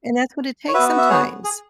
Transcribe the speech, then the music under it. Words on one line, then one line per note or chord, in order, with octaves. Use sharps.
And that's what it takes sometimes.
C#5
B3 F#4 B4 E5
E5
G#4 C#5
G#4